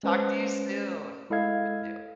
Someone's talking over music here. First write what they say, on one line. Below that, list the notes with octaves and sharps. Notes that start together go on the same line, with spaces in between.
Talk to you soon. You too.
G#3 C#4 B4 C5
G#3 E4 A4 D#5 F5 G#6